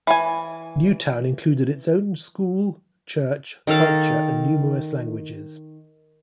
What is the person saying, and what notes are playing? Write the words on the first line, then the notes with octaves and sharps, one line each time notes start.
New Town included its own school, church, culture and numerous languages.
E3 G#5
D#3 D#4 A4 F5